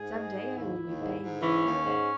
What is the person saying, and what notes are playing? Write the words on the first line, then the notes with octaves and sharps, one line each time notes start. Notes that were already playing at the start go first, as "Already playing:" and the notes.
"Some day I will repay you."
Already playing: G#2 G#4
G#3
G#2
D#2 E4
D#2
G#2
G#2
E3 C#4
D#2
G#2